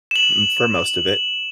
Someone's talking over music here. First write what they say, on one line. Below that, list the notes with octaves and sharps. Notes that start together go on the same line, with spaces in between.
mm, for most of it,
E7 F#7